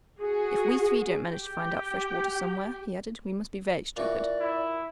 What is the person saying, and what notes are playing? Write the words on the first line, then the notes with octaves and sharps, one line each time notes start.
"If we three don't manage to find out fresh water somewhere," he added, "we must be very stupid."
F#4 G#4
G4 G5
A#2 E3 F#4 D5
E4